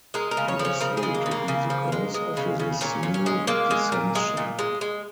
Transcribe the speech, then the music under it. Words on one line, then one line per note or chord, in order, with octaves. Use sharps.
He was sorry to be the cause of this new dissension.
G#3 A#4
A#4
C#3
C#5
F3
C#5
C#3 A#4
G#4
G#3
A#3
C#3
A#3
C#3
F3
G#3
G#3
C#3
C#3
A#2 C#4
A#2
C#4
G#3
G#3 A#3
G#3
A#2
G#3
A#2
G#3
G#3